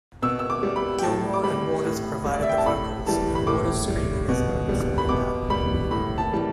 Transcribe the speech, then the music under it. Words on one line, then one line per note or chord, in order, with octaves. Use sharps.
Gilmour and Waters provided the vocals, and Waters' screaming is noticeably louder.
B2 E6
E6
D6
G3
B5
G5
A2 A5
D6
G3 B5
A2
G3
D5
E5
G5
A5
A2 B5
E3 G3 A5
B5
A2 D6
G3
B2
G3
B5
B2 D6
G3 B5
A2 B5
A5
E3 G3 A5